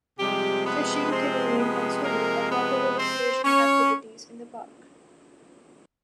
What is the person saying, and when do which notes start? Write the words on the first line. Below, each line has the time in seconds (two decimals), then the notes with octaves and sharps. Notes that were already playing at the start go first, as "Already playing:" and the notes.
Fishing, canoeing and swimming are popular recreational activities in the park.
0.18 C3 F3 G3 G#3 G4
0.65 B3 B4
1.11 C4 C5
1.58 B3 B4
2.04 A#3 A#4
2.51 B3 B4
2.98 C4 C5
3.44 C#4 C#5